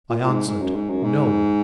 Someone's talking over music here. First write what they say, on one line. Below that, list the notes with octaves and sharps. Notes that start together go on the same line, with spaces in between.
I answered, No.
A#2
A#2
G#2
G#2
F#2
G#2
F#2
G#2